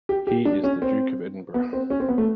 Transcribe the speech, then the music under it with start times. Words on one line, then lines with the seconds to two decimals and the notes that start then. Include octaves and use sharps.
He is the Duke of Edinburgh.
0.09 G4
0.27 G4
0.45 D4
0.64 C#4
0.82 C4
1.54 B3
1.73 C4
1.90 C#4
2.00 C4
2.09 B3
2.18 A3